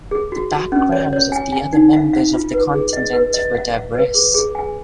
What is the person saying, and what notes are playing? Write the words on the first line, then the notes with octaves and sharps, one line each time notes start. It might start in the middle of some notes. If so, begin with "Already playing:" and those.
The backgrounds of the other members of the contingent were diverse.
G#4
F#4
F#4
C#4
C#5
C#5
G#5
G#5
D#4
F5
F5
F4
B4
G#4
D#5
B4
D#5
F5
F5
B4
G#4
G#4
G#5